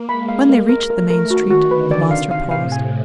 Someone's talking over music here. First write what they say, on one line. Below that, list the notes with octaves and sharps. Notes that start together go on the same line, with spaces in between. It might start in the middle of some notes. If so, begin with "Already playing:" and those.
When they reached the main street the master paused.
Already playing: A#3
G#3 B5
F5
A#4
A#4
A3 A#4
A#4
D#3 F#4
F#4
D3 B4
D5
C3 F5
F5
A2 F5
G#5